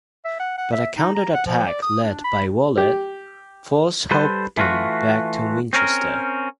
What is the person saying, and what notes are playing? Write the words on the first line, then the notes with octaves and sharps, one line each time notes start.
But a counter-attack led by Waller forced Hopton back to Winchester.
E5
F#5
F#5
E5
D#4
A#5
F#5
F3
D5
D#6
D4
B5
G4
G3 A4 B4 C5
E3 A3 F4 F#4
C4 C#4 A#4